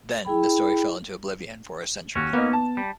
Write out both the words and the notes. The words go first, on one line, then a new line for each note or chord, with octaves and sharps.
Then, the story fell into oblivion for a century.
E4 G#4 G5 B5
D#2 C#4 F#4
A#3 B3 D#4
A5
G3